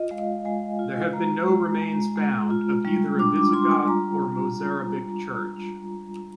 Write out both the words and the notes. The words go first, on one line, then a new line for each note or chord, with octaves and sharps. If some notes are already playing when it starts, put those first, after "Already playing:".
There have been no remains found of either a Visigoth or a Mozarabic church.
Already playing: F4 D#5
G#3 F5
G#3 G#5
F4
G#3 A#5
G#3
G#3
G#3
F4
G3
D4 D6
D6
F4 C6
G#5
G3 A#5